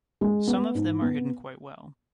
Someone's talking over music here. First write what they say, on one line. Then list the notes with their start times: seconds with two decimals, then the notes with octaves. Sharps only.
Some of them are hidden quite well.
0.21 G#3
0.47 B3
0.75 G#2
1.02 B3